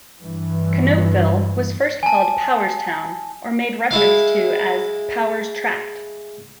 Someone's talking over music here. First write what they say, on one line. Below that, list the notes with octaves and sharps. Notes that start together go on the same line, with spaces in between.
Conneautville was first called "Powerstown" or made reference to as "Power's Tract".
G2 E3
G#5 A5
G#3 E4 F5